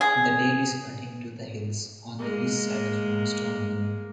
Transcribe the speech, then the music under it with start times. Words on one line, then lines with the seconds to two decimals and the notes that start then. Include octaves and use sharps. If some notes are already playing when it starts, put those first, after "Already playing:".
The dale is cut into the hills on the east side of Longstone Moor.
0.01 G#4
2.19 G#3 A#3